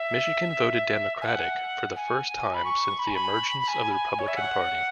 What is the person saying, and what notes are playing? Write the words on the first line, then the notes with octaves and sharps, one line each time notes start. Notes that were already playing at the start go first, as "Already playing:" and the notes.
Michigan voted Democratic for the first time since the emergence of the Republican Party.
Already playing: E5
G#5
F#5
G#5
B5
C#6
B5
G#5
B5
B5
G#5
C#5
E5
F#5